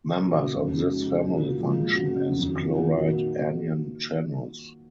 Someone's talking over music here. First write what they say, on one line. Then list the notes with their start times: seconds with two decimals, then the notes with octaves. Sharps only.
Members of this family function as chloride anion channels.
0.20 A#2 F#3 A#3 C#4 F#4
0.54 F2 C#3 F#3 C#4
0.89 C#3 G#3 D#4 F#4
1.23 A#2 F#3 A#3 F4
1.58 A#2 F3 G#3 C4 F4
1.92 F#2 C#3 F#3 C#4 F#4
2.26 F2 D#3 F#3 C4
2.61 C3 D#3 A#3 F4
2.95 A#2 F#3 A#3 D#4 F#4